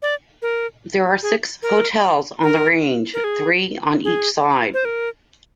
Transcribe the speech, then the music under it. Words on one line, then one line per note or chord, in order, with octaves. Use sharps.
There are six "hotels" on the Range, three on each side.
D5
A#4
G#4
A#4
A#4
A#4
G#4
G#4
C5
A#4